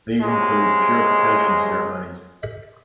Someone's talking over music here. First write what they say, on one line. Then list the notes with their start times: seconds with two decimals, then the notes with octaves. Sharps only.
These include purification ceremonies.
0.21 C#2 C3 G#3